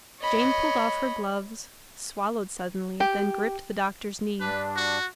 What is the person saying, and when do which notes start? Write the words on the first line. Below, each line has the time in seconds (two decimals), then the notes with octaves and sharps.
Jane pulled off her gloves, swallowed suddenly, then gripped the doctor's knee.
0.20 C#5 D#5 B5
3.00 G4
4.40 G2 D4 B4
4.76 F#4